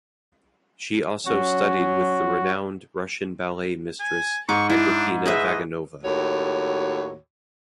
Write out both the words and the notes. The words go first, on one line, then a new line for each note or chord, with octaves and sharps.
She also studied with the renowned Russian ballet mistress Agrippina Vaganova.
F#3 C#4 F#4
G#5
G#2 C#6 D6
D4 E4
G#4 B4 D#5 E5
D#2 A2 F#4 C#5